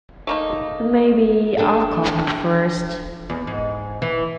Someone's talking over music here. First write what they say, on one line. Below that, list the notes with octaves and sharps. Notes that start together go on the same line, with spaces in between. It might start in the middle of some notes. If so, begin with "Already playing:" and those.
Maybe I'll call her first.
A3 A#3 D#4
D4 A4 G5 G#5
E2
G#2
E3